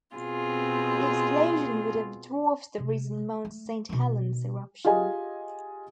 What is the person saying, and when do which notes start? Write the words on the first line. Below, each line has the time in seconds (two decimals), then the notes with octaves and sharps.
The explosion would have dwarfed the recent Mount Saint Helens eruption.
0.15 B2 C4 F4 G#4
2.78 C3 A3
3.45 A3
3.89 B2 D#3
4.85 F4 G4 G#4 D#5 G#5